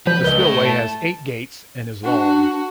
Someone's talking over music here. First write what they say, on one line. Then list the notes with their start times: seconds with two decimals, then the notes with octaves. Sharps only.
The spillway has eight gates and is long.
0.07 F3 B4 G6
0.24 C#2 B4 D#5 G7
0.40 A3 E4
0.65 A5
2.05 D4 F#4